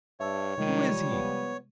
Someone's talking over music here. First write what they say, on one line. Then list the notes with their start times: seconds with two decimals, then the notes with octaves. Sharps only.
"Who is he?"
0.20 G2 C#5 E5 A5 E6
0.58 C3 D#3 F3 G3 G#3 D#7
1.10 B3